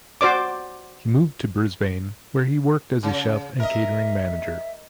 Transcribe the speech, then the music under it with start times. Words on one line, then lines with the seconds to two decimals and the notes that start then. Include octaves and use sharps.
He moved to Brisbane where he worked as a chef and catering manager.
0.21 F#4 C5 D5 D6
3.03 C#3
3.60 A#4 D#5 E5